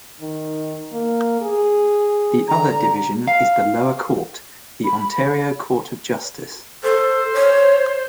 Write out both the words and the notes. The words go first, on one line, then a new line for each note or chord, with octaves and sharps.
The other division is the lower court, the Ontario Court of Justice.
D#3
A#3
G#4
D3 A#5
F5
B5
A4 C5
C#5